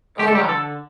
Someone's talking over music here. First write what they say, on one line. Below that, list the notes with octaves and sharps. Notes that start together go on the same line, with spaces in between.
Oh, wow.
D3 G4
A4
G4
D3 A4